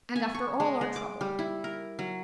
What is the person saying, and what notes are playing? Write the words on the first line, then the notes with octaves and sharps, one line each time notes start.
'And after all our trouble!
G#5
C#6
G#3
G#3
D6
G3
E4
A#4
F#3